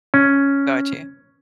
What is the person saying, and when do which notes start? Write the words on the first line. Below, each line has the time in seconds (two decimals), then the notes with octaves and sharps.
Got you.
0.14 C#4